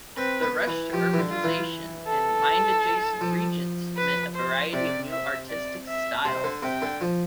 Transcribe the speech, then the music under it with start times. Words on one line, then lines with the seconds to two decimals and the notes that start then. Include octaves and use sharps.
The rush to urbanization in mine-adjacent regions meant a variety of new artistic styles.
0.17 C4 B4
0.42 B3
0.67 E3
0.93 F3 G4
1.13 E3
1.18 D3
1.31 F4
1.44 E3
2.07 A4
3.21 F3
3.97 B4
4.35 C5
4.73 C3 D5
5.11 E5
5.49 D5
5.87 E5
6.25 C3 C5
6.44 D3
6.63 C3 G5
6.82 D3
7.01 F3